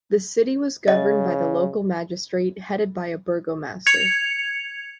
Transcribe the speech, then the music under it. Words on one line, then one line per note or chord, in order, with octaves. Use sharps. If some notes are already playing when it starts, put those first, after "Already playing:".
The city was governed by the local magistrate headed by a burgomaster.
C#3 D#5
G#6 C#7 F7